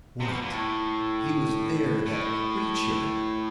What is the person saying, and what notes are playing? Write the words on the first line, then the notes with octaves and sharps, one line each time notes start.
What! he was there, that creature!
C3
B2
A#2
A2
A2